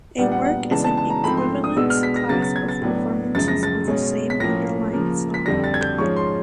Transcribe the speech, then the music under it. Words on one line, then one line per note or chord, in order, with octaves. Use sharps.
A work is an equivalence class of performances of the same underlying song.
A#2 G3 B3 D4 F#5
F#5
F#5
C#3 E3 G#3 B3 D4 A5
A5
A5
A#5
G#2 F3 A3 C4 B5
C6
D#6
B2 G#3 B3 D4 E6
F6
B6
A#6
C#3 F#3 B3 A6
A6
G#6
A6
A2 F#3 B3 D4
F#2 C#3 F3 G#3 A6
A#6
A6
B2 G#3 C#4
B6
A2 F3 A#3 C#4 A#6
C#3 F3 A#3
B6
F2 D3 G3 A#6
A6
G#6
G6
G#2 F3 G#3 C#4 C#6
C6